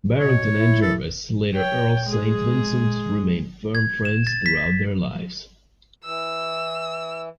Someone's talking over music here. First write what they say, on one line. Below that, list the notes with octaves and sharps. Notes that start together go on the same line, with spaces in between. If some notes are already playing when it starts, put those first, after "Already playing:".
Barrington and Jervis, later Earl Saint Vincent remained firm friends throughout their lives.
B2 C#5
E4
A4
C#5 G5
G#3 G#4
G#6
E7
A6
B6
E3 E6